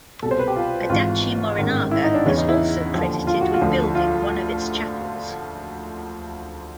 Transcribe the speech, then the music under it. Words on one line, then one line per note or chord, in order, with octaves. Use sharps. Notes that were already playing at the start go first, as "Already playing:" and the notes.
Adachi Morinaga is also credited with building one of its chapels.
C2 B2 A4
C5
B4
G4
F4
G#1 G#2 E3 F4
A1 G#2 D#3
E4
D#4
D4
E2 C#3 E3 C#4
D#4
E4
D#2 D3 F3
F4
F#4
F4
D2 D3 F3
F4